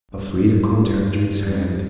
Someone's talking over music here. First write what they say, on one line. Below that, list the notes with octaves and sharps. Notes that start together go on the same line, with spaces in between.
Elfrida caught Edred's hand.
G2
G2
G2
G2